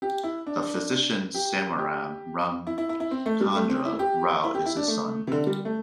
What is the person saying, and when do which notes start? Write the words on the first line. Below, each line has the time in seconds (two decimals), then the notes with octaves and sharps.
The physician Samaram Ramachandra Rao is his son.
0.02 G4
0.24 E4
0.47 D4
1.34 G4
1.79 G4
2.67 E4
2.78 E4
2.89 E4
3.00 E4
3.11 C4
3.26 A3
3.41 G3
3.56 A3
3.70 C4
3.85 E4
3.99 G4
4.44 E4
4.55 G4
4.66 E4
4.77 D4
4.88 A3
5.27 C3
5.32 D3
5.47 G3
5.65 A3